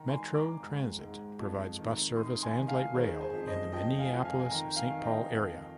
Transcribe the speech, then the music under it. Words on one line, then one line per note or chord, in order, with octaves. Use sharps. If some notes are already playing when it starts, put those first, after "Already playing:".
Metro Transit provides bus service and light rail in the Minneapolis-Saint Paul area.
Already playing: D#3 G5 A#5
G#5 C6
D#3
A#5 D6
G#2
G#2
F2
D#3
D#3 C6 D#6
G#5 C6
D#3
F5 G#5
D#3 G#4 C5
G#4 C5
F2
C5 D#5
F2 D#5 G5
F5 G#5
F2
F5 G#5
G#5
D#3 G5 A#5
F5 G#5
D#3
D#5 G5
F2